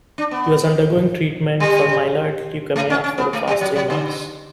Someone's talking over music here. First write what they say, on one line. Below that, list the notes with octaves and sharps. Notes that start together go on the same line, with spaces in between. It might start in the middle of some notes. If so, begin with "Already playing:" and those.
He was undergoing treatment for myeloid leukaemia for the past three months.
D4
B3
G3
A3
C#4
C#4
B3
A3
G3
F#3
F#3
D3